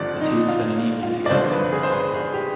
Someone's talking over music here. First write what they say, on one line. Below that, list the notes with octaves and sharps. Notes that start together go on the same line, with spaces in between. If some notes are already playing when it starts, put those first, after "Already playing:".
The two spend an evening together as they fall in love.
Already playing: G#1 G2 D3 F3 C4 D5
D#4
F4
F4
D5
G#1 G2 D3 F3 C5
B4
G#4
C5
B4
G#4
G4